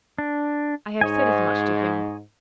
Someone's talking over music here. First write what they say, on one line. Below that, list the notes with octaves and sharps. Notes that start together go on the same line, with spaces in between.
I have said as much to him.'
D4
G#2 C#5 D#5 G#5